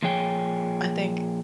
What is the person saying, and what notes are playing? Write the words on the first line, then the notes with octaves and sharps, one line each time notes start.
I think
A#2 F3 G#4 C#5 G5